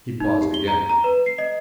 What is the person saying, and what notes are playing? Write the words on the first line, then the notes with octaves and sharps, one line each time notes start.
He paused again.
D#4
G4
G7
A#5
A#5
B4
C7
D#5